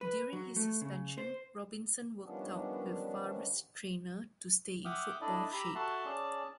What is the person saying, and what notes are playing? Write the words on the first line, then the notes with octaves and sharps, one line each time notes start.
During his suspension, Robinson worked out with Favre's trainer to stay in football shape.
B4
F#3
A3
C#3
C5
D#3 F3 G3 B3 C#4 D4
E5 F#5 G5 D6 D#6 F6
D4 E4 A4 D5 D#5
G4 A#5 B5 E6
F#4 A4 E5 F#5 A5 C6
C#4 G#4 D5 A5